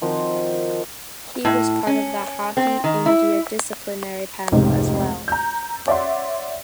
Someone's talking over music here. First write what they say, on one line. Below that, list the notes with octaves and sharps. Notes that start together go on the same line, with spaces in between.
He was part of the Hockey India disciplinary panel as well.
D#3 F3 C4 F#4
A2
C#4
C4
D#3
E4
F1 C#2 G#2 C3 D#4
A#5 G6
C#5 D5 E5 F#5 C6